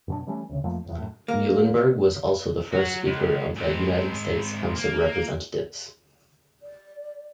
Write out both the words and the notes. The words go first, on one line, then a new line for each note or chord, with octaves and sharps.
Muhlenberg was also the first Speaker of the United States House of Representatives.
F#2 B2 D4
E3 G3 A3 C#4
D2 C#3
F2 F3 A3 A#3
F1 E2
F#2 A2
A#3
F#3 F#4
C#2
G#2 C4
A#3
D5